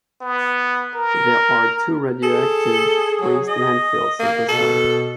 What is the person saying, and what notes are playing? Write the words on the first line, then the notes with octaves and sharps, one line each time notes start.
There are two radioactive waste landfills at the site.
B3
A#4
G#4 A4
F#3
D#5
A#3
B2 A4